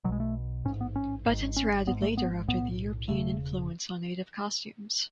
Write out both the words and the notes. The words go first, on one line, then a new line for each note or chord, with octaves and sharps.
Buttons were added later after the European influence on the native costumes.
B1 B2 F#3 G#3
A3
A1 G#2 C#4
B3
C#4
G#1 G#2
C#4
G#1 G#2 B3
A3
B3
B1 A2 B3
E1 C#3 A3